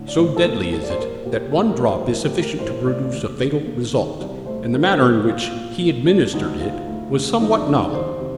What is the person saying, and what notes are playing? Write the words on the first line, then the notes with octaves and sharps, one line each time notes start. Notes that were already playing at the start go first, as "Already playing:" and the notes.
So deadly is it, that one drop is sufficient to produce a fatal result, and the manner in which he administered it was somewhat novel.
Already playing: A2 D3
D5
A2 C5
A4
A#3 A#4
G3 A4
D5
C5
A#2 A#4
A#2 G4
A3 A4
A#4
F3
C5
A2 A#4
G4
A3
A#4
A2 C5
A3 D5
D5
D#2
D#2
A#3
D#3
C2 D5
A3 C5
F3 A#4
C5
A#4
A#2 A4
A#2 F4
A#2
A#3
G3 D4
D2 D#4
D2 F4
A3
D3
F2 D#4
D4
G3 D#4
D5
D#3 C5
C3